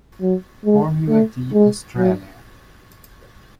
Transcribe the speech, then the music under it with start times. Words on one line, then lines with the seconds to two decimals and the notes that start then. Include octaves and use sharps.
Formula D Australia.
0.21 F#3
0.65 G#3
1.09 A3
1.53 G#3
1.97 F#3